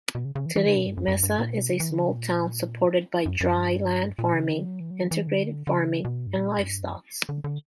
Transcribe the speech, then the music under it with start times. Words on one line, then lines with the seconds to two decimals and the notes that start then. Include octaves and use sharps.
Today, Mesa is a small town supported by dryland farming, irrigated farming, and livestock.
0.15 B2
0.25 C#3
0.35 C#3
0.46 E3
0.56 E3
0.66 C#3
0.76 B2
0.87 G2
0.97 F#2
1.08 F#2
1.23 G2
1.39 A#2
1.54 B2
1.70 C#3
1.80 E3
1.91 D3
2.01 C#3
2.10 B2
2.16 A#2
3.26 F#2
3.41 F#2
3.56 G2
4.19 A#2
4.34 C#3
4.49 D3
4.65 F#3
4.80 E3
4.91 F#3
5.01 E3
5.11 E3
5.27 D3
5.67 D3
5.73 C#3
6.05 B2
6.27 G2
6.36 A#2
6.59 F#2
6.67 G2
6.82 F#2
7.29 D3
7.44 D3